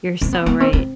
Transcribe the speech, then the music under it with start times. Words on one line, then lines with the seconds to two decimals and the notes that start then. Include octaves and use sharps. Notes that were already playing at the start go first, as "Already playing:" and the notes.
You're so right,
0.21 C4
0.33 B3
0.46 B3
0.60 C4
0.73 C4